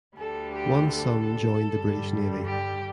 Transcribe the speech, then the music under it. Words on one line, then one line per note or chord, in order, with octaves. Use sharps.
One son joined the British Navy.
D2 D3 G3 A4
G4
A4
G2 D3 G3
G4